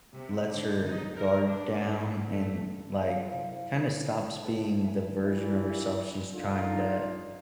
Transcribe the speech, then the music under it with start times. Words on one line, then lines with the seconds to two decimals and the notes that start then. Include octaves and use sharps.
lets her guard down and, like, kinda stops being the version of herself she's trying to
0.15 C3
0.49 D3
0.86 D#4
1.17 A#4
1.49 D4
1.85 G#2
2.32 A3
3.01 F3 F4 G#4 F5
3.30 C3 E4 C5
4.44 A3 A4 B4 F#5 G5 A5
4.84 E5 G#5
5.21 G2 A#2 E3 E4
6.33 D3 D#4 F4